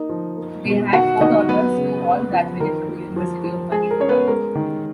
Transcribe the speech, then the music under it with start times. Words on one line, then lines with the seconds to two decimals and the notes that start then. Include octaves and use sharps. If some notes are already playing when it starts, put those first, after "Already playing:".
They had four daughters who all graduated from the University of Manitoba.
Already playing: A#3 D#4
0.09 F3
0.37 A#3
0.65 B2
0.93 D#3 F#4 F#5
1.20 D#3 D#4 D#5
1.49 F#3 B3 B4
1.77 C#3
2.05 B3
2.33 F3
2.60 D#3 A#4
2.88 A#3
3.16 F3
3.44 F3
3.72 G#3 G#4
3.91 A#4
4.00 C#4 C#5
4.09 B3 B4
4.28 G#3 A#4
4.55 D#3